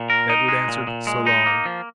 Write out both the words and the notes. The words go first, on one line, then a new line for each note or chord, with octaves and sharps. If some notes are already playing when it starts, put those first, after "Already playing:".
Edward answered: "So long."
Already playing: A#2
A#4
D#4
G#3
A#2
A#2
G#3
D#4
A#3
F3